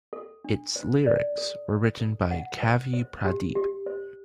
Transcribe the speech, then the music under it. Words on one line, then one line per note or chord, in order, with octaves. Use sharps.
Its lyrics were written by Kavi Pradeep.
A4
D4
C5
D5
A4
A4
A4
F#5
C5
C5
G4
G4
C5